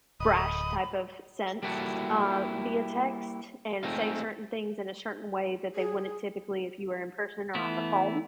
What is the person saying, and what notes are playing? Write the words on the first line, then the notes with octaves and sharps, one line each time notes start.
brash type of sense, uh, via text, and say certain things in a certain way that they wouldn't typically if you were in person or on the phone,
D1 D#5 B5 D#6
G3 A#3 E4 F#4 A4
G#3 A3 C4 D#4 F4
G#4
E3 A3 B3 E4